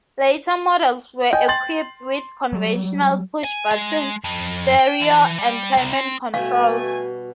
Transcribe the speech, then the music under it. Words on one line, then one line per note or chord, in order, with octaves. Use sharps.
Later models were equipped with conventional push button stereo and climate controls.
D#5 G5 G#5
C6 A6 F#7
F#3 G3
G#5
G#3
F2
G5
E3
G3
C2
C4
B2 G3 A3 F#4 G4 F5 G#5